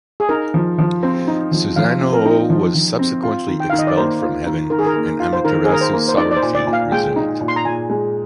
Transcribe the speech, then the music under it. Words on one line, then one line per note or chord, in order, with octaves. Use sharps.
Susano-o was subsequently expelled from heaven and Amaterasu's sovereignty resumed.
G#4
D#4 A#4
F3
F3
C4 C5
D#4
F3
F3 F5
C4
A#4
D#4
F3
F3
C4
F4
D#3
G5
D#3 F5
D#5
D5
A#3 C5
F4
D#3
D#3 A#4
G#4
A#4
A#3
F4
C5
D#3 A#4
G#4
D#3 A#4
C5
A#3
C5
D#4 D5
D5
C5
A#2
D5
A#2
F5
G#3 G5
D#4
A#2
C6
A#5
A#2 G#5
G#3